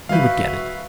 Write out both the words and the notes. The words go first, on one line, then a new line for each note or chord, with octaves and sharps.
He would get it.
D#3 G3 F#4 B4 E5 F5 G6